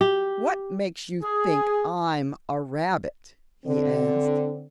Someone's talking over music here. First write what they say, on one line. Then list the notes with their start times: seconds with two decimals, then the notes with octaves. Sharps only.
"What makes you think I'm a rabbit?" he asked.
0.01 G4
1.23 G#4
3.66 D3 C4